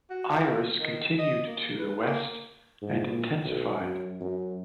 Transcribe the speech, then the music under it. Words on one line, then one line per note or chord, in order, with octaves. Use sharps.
Iris continued to the west and intensified.
F#4
F4
D#3
D#5
A#3
B4
A#3
G#2
A#2
B1
F#2
F#2